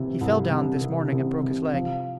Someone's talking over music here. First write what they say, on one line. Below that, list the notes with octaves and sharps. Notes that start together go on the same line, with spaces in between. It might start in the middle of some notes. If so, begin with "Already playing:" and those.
He fell down this morning and broke his leg.
Already playing: C3 E3
C2
C3
C3
C3
C3
F3